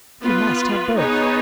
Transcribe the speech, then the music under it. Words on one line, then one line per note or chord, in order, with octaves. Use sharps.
He must have both.
B3 F4 B4
B3 D#4 G#4 C#5